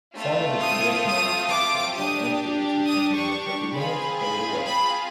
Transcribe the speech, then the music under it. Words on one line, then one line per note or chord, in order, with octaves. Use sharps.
Some of the traditional restrictions on entry to cantinas are beginning to fade away.
A3 C4 F4
D#6
D#6
D6
D4 G4 D#6
D#6
C#6
C#6
C4 F4 G#4 B5
B5
B5